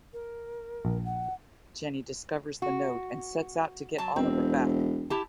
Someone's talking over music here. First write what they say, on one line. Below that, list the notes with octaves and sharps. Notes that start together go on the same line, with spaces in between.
Jenny discovers the note and sets out to get Oliver back.
A#4
A#1
F#5
F#4
F#3 A5
E1 C4
E4 G4 A5